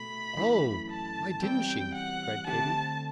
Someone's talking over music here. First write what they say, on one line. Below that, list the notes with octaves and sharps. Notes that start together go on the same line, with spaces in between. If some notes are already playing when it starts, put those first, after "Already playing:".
"Oh! why didn't she?" cried Katy.
Already playing: B2 A3 B5
F#2 E3 A3
A5
E2 B2 G3 C4 G5
F#5
D3 A3 C4 G4 A5